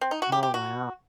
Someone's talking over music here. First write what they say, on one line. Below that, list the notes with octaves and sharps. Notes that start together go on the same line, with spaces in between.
Oh wow.
C4
D#4
F#4
G4
G4
F#4